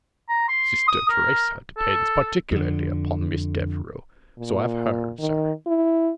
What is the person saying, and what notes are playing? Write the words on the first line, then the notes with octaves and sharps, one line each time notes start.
Sister Theresa depends particularly upon Miss Devereux,—so I’ve heard, sir.
A#5
C6
D#6
A#4
A4
F2 D3
A#2
D#3
E4